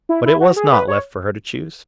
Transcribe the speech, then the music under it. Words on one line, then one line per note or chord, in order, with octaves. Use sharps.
But it was not left for her to choose.
E4
E4
F#4
G#4
B4
C#5